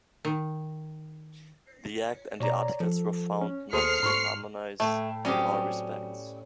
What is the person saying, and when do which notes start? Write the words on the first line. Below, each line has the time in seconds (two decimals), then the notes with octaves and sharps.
The act and the articles were found not to harmonize in all respects.
0.25 D#3
2.40 B2 C#5 D5 A#5
2.80 F3 A4
3.41 C#4
3.73 D#2 G#4 A4 C5 C6 F6 C7 C#7
4.03 G#2 C6 C#6
4.80 A2 A3 G5
5.25 F#3 G3 C4 C#4 G4 D#5